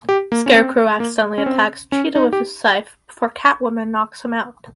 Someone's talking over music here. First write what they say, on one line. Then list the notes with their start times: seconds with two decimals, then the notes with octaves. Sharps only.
Scarecrow accidentally attacks Cheetah with his scythe before Catwoman knocks him out.
0.09 G4
0.32 A#3
0.46 C#4
0.55 C4
1.00 A#3
1.38 C#4
1.46 C4
1.92 C#4
2.16 D#4
2.33 G4